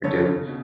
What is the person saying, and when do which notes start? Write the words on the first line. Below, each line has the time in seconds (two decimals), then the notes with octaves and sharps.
We do.
0.03 C#3 C#4 A4 C#5
0.27 C#3
0.47 B2